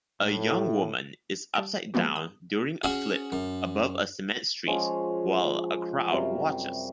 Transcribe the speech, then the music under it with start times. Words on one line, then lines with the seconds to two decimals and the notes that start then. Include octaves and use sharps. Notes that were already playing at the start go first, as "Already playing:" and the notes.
A young woman is upsidedown during a flip above a cement street while a crowd watches.
0.22 A2
1.54 G3 A5 D7
1.94 F3 G#3 A#3 B3 F#4
2.16 D#6
2.83 C#4 F#4 G#4
3.32 F#2
4.67 F3 G#3 C#4 F5
6.12 F#2 C3 G3 F5